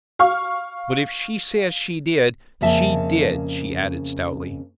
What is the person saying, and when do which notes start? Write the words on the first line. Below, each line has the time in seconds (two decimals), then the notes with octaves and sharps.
"But if she says she did, she did," she added stoutly.
0.19 F5 C#6 F6
2.61 F2 C#3 A#3 E5 A5